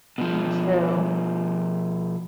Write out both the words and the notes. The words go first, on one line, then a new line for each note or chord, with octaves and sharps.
Me too.
B2 F3